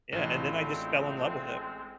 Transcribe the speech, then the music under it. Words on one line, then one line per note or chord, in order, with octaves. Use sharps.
Yeah, and then I just fell in love with it.
A1 G#3 A3 C4 D4 E4 F4